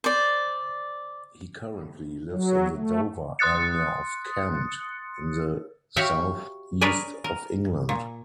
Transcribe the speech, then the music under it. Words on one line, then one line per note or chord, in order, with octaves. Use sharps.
He currently lives in the Dover area of Kent, in the southeast of England.
C5 D5
F#3
A3
C6 D#6 F#6 A6 C#7
F#4 G4 C#5 E5 F5 G5
G#4 A#4 B4 C#5 D5 G#5
A#4
A#2